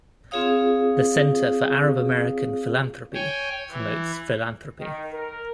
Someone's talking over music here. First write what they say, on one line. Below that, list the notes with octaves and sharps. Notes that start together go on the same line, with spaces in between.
The Center for Arab-American Philanthropy promotes philanthropy.
C4 F4 G#4 C#5 F5 D#6
C#5 G5 G#5
E3
D#3
A#4